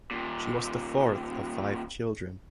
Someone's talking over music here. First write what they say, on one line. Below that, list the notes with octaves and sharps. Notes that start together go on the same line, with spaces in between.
She was the fourth of five children.
D#2 A#2